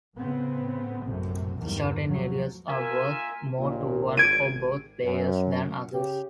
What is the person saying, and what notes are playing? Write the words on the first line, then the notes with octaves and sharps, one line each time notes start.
Certain areas are worth more to one or both players than others.
A2 C#3 B3 C4
A#1 F#2 A2 C3
E2 G2 D#3 G3
A2 F3 F#3
A#3 F4 A#4 E5 G#5
A#1 D#2 A#2
G#1 G#6 D7 D#7
F#2
C#3 G4